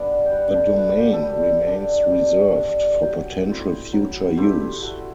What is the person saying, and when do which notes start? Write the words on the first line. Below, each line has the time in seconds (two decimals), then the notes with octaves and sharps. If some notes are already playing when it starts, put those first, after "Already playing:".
The domain remains reserved for potential future use.
Already playing: G3 B3 D4 D6
0.26 G5
0.32 G3 F#5
0.51 G4 A4
0.77 B3 D4 F#4
0.99 G4
1.13 A4
1.22 G3 G4
1.67 D4
2.12 G3
2.57 D4
3.02 F#3 G4
3.48 A3 C4 E4
3.93 F#3
4.37 A3 C4 E4 G4
4.82 A3 F#4